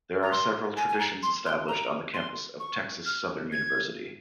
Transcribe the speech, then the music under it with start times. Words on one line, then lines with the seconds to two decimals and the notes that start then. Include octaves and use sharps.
There are several traditions established on the campus of Texas Southern University.
0.23 A#5
0.31 C6
0.77 G#5
0.89 G#5
0.99 A#5
1.23 C6
1.46 C6
1.68 A#5
2.14 C6
2.60 C#6
3.06 F6
3.52 G#6